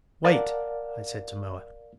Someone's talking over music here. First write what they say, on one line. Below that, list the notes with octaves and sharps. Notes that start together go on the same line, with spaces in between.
"Wait," I said to Moa.
A#4 D5 F5 F#5 A5